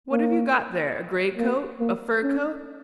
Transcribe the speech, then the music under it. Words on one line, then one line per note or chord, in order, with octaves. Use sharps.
What have you got there, a great-coat, a fur coat?
A#3
A#3
A#3
C#4